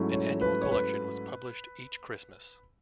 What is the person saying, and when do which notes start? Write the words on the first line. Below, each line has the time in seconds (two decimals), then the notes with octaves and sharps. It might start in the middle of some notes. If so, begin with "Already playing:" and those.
An annual collection was published each Christmas.
Already playing: G#2 F#3 A3 C#4 E4
0.12 C#5
0.41 B4
0.62 C#5
0.71 B4